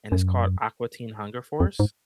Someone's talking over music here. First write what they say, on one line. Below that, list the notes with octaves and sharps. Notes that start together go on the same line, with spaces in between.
And it's called "Aqua Teen Hunger Force."
F#2
F2
G#2